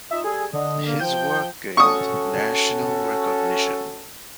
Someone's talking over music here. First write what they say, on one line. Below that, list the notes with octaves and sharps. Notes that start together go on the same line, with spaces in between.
His work gained national recognition.
D#4 F4 D#5 E5
G3 G#4 A4 G#5
D3 D4 D#5
A#3
F3 G5 G6
C#4 F#4 A4 C#6 D#6